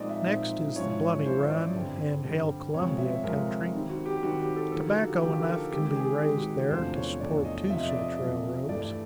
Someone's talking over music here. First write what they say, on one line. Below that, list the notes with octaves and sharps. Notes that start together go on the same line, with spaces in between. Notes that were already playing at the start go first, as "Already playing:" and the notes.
Next is the Bloody Run and Hail Columbia country--tobacco enough can be raised there to support two such railroads.
Already playing: A#2 F3 G#3 C4 D#4 D5 D#5
E5
A#2 F3 G#3 C4 D#4
G#2 F3 G#3 C#4 E4 C#5
C#5
G#2 F3 G#3 C#4 E4 C5
D5
G2 D3 G3 C4
G2 D3 G3 C4
F2 C3 F3 G#3 C4 C#5
E5
F2 C3 F3 G#3 C4 A#4
D#3 G3 C4 D#4
F#4
G4
D#3 G3 C4 D#4 F#4
G4
A4
D3 F3 A#3 D#4 A4
F#4
G4
D3 F3 A#3 D#4 G4
A#4
A4
D#3 G#3 C4 G4
G4
G#4
D#3 G#3 C4 G4
F#4
E2 C3 F3 A3 D4 C5
C#5
E2 C3 F3 A3 D4 D5
D#5
F2 C3 F3 E5
D#5
D5
D#5
F2 C3 F3
G2 E3 A3 D5